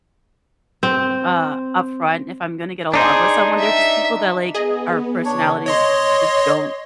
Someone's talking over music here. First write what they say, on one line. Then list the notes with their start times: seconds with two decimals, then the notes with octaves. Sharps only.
uh, upfront if I'm gonna get along with someone, they're just people that, like our personalities just don't
0.83 C4
2.94 D4 D#4 G#4 C5
3.59 E5
4.54 B3 G#4 D#5
5.25 C#3 B3 D4 C#5
5.66 C#5 D#5 C6